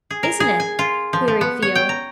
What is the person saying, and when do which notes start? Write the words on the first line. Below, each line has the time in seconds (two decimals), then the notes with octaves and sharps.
"Isn't it?" queried Theo.
0.10 G#4
0.23 A#4
0.40 G#4
0.60 G#5
0.79 F4
1.13 F3
1.28 F3
1.41 B3
1.62 C#5
1.75 G5
1.89 A#5